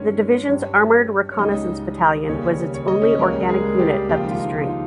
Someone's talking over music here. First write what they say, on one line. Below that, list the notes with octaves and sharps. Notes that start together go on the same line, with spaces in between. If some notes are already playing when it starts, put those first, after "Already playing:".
The division's armored reconnaissance battalion was its only organic unit up to strength.
Already playing: G2 D#3 G#3 C#4 C#5
G2 G3
C#5
C#2 C#3 G3 D#4 D#5
D#2 C#3 G3 C#4 C#5
C#5
D#5
C#4 C#5
C#2 C#3 G3 A#3 A#4
A#4
G#3 G#4
G3 G4
D#2 C#3 F3 G#3 G4
F4
D#4
F4
D#4
D#4
F4